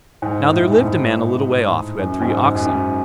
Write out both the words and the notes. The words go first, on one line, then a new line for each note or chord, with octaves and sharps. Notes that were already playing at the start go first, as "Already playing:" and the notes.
Now there lived a man a little way off who had three oxen.
G#2
A2
G#2
A2
F#2
G#2
F#2
G#2